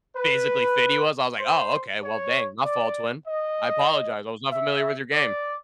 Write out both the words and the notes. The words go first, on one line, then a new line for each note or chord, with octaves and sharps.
physically fit he was. I was like, "Oh, okay. Well, dang." No fault to him. "I apologize. I was not familiar with your game."
B4
C5
C#5
D5
D#5
E5
D5